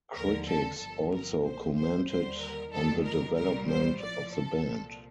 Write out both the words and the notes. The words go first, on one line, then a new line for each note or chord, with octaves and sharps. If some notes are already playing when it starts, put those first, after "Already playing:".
Critics also commented on the development of the band.
D#2 D3 F3 A#4
A4
G1 G2 F3 A4
A#4
A#1 A#2 F3 C5
C5
D#2 D3 G3 C5
A#4
F2 D#3 G3 A4
A#4
C2 A#2 G3 A#4
C5
A#1 A2 F3 D5
A4
C2 A#2 F3